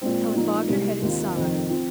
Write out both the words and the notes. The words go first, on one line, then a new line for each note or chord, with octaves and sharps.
Helen bobbed her head and sobbed.
A#2 G#3 C4
A#2 F3 A#3 D#4
C2 C3 G#3
D#2 D#3 C4 F4
F1 F2 D#3 C4
F3 C4